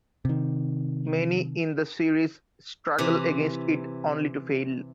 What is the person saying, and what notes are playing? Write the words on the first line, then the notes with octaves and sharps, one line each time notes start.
Many in the series struggle against it, only to fail.
C3 D#3
C3 E3